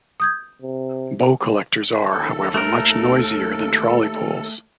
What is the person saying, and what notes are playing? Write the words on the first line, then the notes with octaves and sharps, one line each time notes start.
Bow collectors are, however, much noisier than trolley poles.
D#6 G6 G#6
C3
D#2 A4
A3 A#4